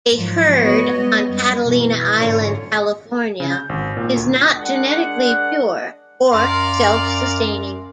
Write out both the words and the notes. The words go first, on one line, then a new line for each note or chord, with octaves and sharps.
A herd on Catalina island, California is not genetically pure or self-sustaining.
G#2 F3 F#3
A3 B3 F#4 B4 C#5 D#5
G3 G#3 B3 D#5
F#2 G3
B2 E3
G#2 D3 C#4 F4 C#5
C#3
G6
G#1
A#2
D2
G#3 D4 A#4 D5 F#5
F#2 A#4 D5 F5 C6